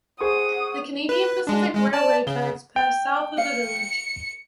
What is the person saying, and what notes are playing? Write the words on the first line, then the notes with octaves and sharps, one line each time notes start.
The Canadian Pacific Railway tracks pass south of the village.
G#4 C5 F#5 C#6 D#6
B4
G#3 D4
G#3
D5 A5
C#3
G5
F5 C#7